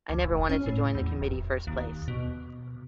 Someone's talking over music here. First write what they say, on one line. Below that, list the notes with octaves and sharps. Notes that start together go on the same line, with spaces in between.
I never wanted to join the committee first place.
D2
F1
C#4
A2
E2
E1
D#2
B2